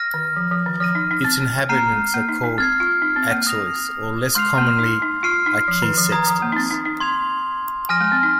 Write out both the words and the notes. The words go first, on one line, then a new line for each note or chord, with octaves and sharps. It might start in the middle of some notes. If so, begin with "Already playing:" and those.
Its inhabitants are called "Aixois" or, less commonly, "Aquisextains".
Already playing: F6 A#6 D#7
D#3
F3
F3
D#3
F3 F6 A#6 D#7
D#4
D#4
C4
A#3 A#5 F6 C7 D#7
G#3
A#3
D#4
D#4
C4 F6 G#6 C7
F4
D#4
C4
A#3
D#6 A#6 F7
G#3 C6 F6 C7 F7
A#3
D#4
D#4
F4 F6 C7 D#7
D#4
F3
D#3
F3
D#3 A#5 D#6 G#6
F3
A#3
D#4
C4
D#4
D#4
C6 G#6 F7
F3 G#5 F6 A#6 D#7
G#3
C4
D#4